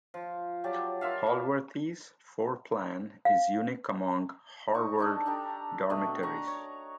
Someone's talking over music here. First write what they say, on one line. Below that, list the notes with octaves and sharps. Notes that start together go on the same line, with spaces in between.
Holworthy's floorplan is unique among Harvard dormitories.
F3
F#3 G4 D5 A5
F4 A#4 E5 F5
F5
D#4 C#6
D4 D#4 A4
D4 G4 A4 A#5
B2 D3 A3 D#5
F#5 A#5 C#6
C#5